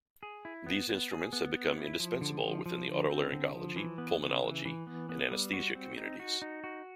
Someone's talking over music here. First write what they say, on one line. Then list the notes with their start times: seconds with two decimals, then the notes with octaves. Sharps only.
These instruments have become indispensable within the otolaryngology, pulmonology and anesthesia communities.
0.23 G#4
0.45 E4
0.67 B3
0.89 B3
1.11 G#4
1.33 B3
1.55 B3
1.78 E4
2.00 F3
2.21 D3
2.44 F3
2.66 F3
2.88 D3
3.09 C4
3.32 D3
3.55 F3
3.76 E3
3.98 B3
4.20 C#3
4.43 E3
4.65 E3
4.87 B3
5.09 B3
5.31 G3
5.53 F#4
5.75 C4
5.97 D#4
6.20 F#4
6.42 D#4
6.64 F#4